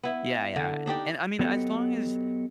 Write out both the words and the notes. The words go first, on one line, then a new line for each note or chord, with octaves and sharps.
Yeah, yeah. And, I mean, as long as
B3 E4
D3
D4 D#4 G4 D5
F#3 B3 G4 A4 D#5